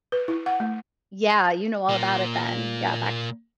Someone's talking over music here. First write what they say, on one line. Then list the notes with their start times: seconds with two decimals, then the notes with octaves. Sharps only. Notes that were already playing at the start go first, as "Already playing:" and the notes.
yeah, you know all about it then. Yeah, back
0.12 B4
0.28 E4
0.46 F#5
0.60 A3
1.89 A#2 A#3